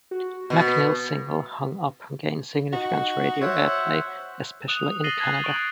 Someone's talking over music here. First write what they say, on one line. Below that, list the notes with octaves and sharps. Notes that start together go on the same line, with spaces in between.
McNeil's single "Hung Up" gained significant radio airplay, especially in Canada.
F#4
B2
D#4 F#4
C5 C#5 E5 F#5
D#6 F#6 F7
D#6
A6 A#6 C7 D#7 F#7 G7
F#6 G#6 A6
C#6 D7 F#7